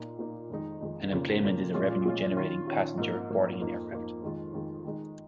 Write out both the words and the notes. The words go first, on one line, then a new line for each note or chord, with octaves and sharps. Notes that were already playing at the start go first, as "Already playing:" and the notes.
An enplanement is a revenue generating passenger boarding an aircraft.
Already playing: A#2 A#3 D#4
A#2 A#3 D#4
F2 D#3 G#3 D#4
F2 D#3 G#3 D#4
F2 C#3 A#3 F4
F2 C#3 A#3 F4
A#2 F3 G#3 C#4 F4
A#2 F3 G#3 C#4 F4
D#3 C#4 F4
D#3 C#4 F4
G#2 F3 A#3
G#2 F3 A#3
F2 F3 A#3 D#4
F2 F3 A#3 D#4
F2 D#3 G#3 F4
F2 D#3 G#3 F4
D#3 G#3 D#4